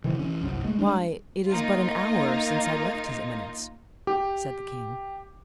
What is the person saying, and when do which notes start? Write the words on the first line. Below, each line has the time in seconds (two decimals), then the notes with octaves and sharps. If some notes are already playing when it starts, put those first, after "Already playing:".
"Why, it is but an hour since I left his eminence," said the king.
0.04 C3 D#3 E3 F#3
0.19 E3 C#4
0.41 G1 C2 F#2
0.64 G#3 A3
0.78 G3 G#3 D4
1.48 A#3 D#4 F4
4.07 G4